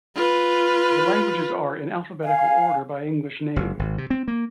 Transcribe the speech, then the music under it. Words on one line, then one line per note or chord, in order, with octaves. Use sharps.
The languages are in alphabetical order by English name.
F4 B4
F5 G#5
F#1
G#1
C3
C4
A#3